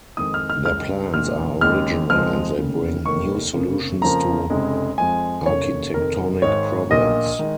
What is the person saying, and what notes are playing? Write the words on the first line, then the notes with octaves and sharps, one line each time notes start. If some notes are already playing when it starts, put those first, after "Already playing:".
Their plans are original and they bring new solutions to architectonic problems.
F2 D#3 G#3 D#6
F6
F6
C#2 C#3 G#3 F6
A#1 A#2 G#3 F6
D#2 C#3 G#3 F6
F2 F3 G#3 F6
F1 D#2 C#3 A#3
F1 D#2 D#3 A#3 C#6
F1 F2 C#3 A#3
F2 C#3 F3 A#3 A#5
F1 F2 C#3 G#3
F2 F3 G#3 G#5
F1 D#2 C#3 A#3 C#5
F1 F2 D#3 A#4
G#1 G#2 D#3 G#3 C#5
A#1 A#2 A#3 D#5
D#3 G#3